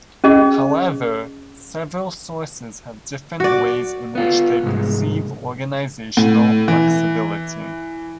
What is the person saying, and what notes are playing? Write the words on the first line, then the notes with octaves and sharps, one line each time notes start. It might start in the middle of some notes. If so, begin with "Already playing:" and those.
However, several sources have different ways in which they perceive organizational flexibility.
C#4 G#4 D#5
F#4 D5
B3 F4
C2 G#2 G#3
A2
E3